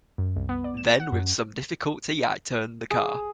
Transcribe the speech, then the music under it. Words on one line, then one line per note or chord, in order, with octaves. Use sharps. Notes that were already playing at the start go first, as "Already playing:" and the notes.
Then with some difficulty I turned the car.
F#2
C2
B3
D5
E7
F#5
F#2
G#4